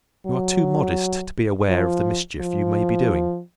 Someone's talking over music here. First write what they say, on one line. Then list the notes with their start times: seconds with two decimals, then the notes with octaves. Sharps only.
You are too modest to be aware of the mischief you may be doing.
0.26 F#3
1.69 F3
2.41 F3